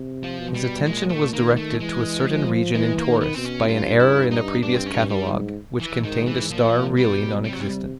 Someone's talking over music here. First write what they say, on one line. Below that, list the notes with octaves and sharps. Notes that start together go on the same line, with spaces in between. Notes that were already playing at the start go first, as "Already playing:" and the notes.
His attention was directed to a certain region in Taurus by an error in a previous catalogue, which contained a star really non-existent.
Already playing: C3
F3
B2
G3
A#2 G#3
A3
D#3 A#3
A3
E3 G#3
F3
E3 G#3
A#3
D#3
B3
B2 C4
C#4
G2 F4
E4
D#4
G2 D4
C4
C#4
G2
G3
G#2
E3
G#2 D#3
E3
A#2 F3
B2 G3
C3 G3
F#3
G3